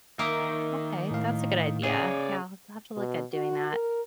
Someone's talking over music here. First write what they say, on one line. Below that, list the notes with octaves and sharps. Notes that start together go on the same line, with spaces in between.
Okay, that's a good idea. Yeah, I'll t have to have to look at doing that.
D#3 A#3 D#4 A#4 E5 D#6 E6
A2 F5
C#3 G#4 C#5 D5
B2
F#4
A#4